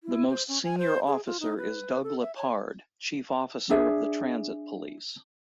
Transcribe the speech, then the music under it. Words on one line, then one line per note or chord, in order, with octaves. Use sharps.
The most senior officer is Doug LePard, Chief Officer of the Transit Police.
E4
C5
C#4
G#5
C5
G#4
F4
D#4
B4
A4
E5
C#5
D4 G#4 E5